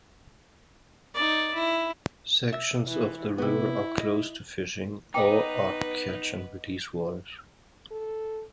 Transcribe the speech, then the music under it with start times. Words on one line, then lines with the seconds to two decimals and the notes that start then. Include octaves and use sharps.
Sections of the river are closed to fishing, or are "catch-and-release" waters.
1.14 D#4 D5
1.53 E4
2.53 E5
2.87 E3
3.38 C3 B3 E4
4.00 D#5
5.14 B3 D#4 B4 D#5 G5 D6
7.91 A4